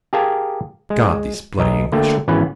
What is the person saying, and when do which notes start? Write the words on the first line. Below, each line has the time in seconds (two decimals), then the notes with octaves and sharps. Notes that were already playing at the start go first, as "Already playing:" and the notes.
God, these bloody English!
0.13 G4 G#4 A#4 F5 G#5 A5
0.90 G#3
1.58 B1 D#5 A#5
1.92 D3 A3 A#3 G5
2.28 G#1 E3 B3 C#4 B4